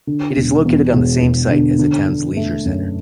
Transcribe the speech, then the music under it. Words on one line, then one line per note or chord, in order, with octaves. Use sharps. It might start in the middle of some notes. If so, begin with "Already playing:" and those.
It is located on the same site as the town's leisure centre.
D3
E1
E2
E1
E1
D3
D3
D3
A3
F#2